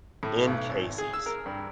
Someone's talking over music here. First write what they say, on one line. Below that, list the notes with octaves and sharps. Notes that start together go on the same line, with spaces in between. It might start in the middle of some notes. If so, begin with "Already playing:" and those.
in Casey's,
A2
B1
G#1
G#4
E6
A#4
G2